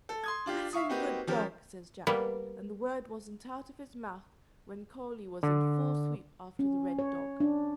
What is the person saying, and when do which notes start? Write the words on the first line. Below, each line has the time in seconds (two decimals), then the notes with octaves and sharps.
"At him, good dog!" says Jack, and the word wasn't out of his mouth when Coley was in full sweep after the Red Dog.
0.09 A4
0.24 C6 D#6 G#6
0.46 D4 F4 G4
0.73 E5 F5 C#6 D#6
0.89 A#3 C4 D#4 F#4 G4 B4
1.27 F3 C#4 G4 A#4
2.07 G3 A#3 B3
5.43 D3
6.59 C#4
6.99 C#5
7.40 D4